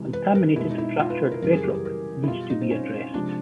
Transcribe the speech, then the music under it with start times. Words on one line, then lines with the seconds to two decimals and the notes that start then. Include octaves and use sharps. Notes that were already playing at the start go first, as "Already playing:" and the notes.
Contaminated fractured bedrock needs to be addressed.
Already playing: C3 E3 G#3
0.13 B4
0.35 A#4
0.56 B2 G#3 E4
0.71 D#4
0.78 E4
0.99 F4
1.10 B4
1.32 A#4
1.42 F#2 C#3 E3 G3 A#4
1.53 G#4
1.64 G4
1.74 A#4
1.85 A#4
2.24 E4
2.28 B2 G3 F4
2.50 D#4
2.61 C4
2.71 C#4
3.14 C3 F3 G#3 D4